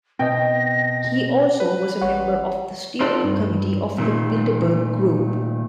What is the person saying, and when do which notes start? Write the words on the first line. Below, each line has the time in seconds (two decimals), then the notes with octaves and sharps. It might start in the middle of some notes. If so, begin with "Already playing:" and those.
He also was a member of the Steering Committee of the Bilderberg Group.
0.19 B2 C4 D#5 G5 A#6
1.60 B4
2.02 A1 C#5 F#5
3.00 D#4 F4 F#4 A4 B4 D5
3.23 G2
3.98 A#2 D#3 A3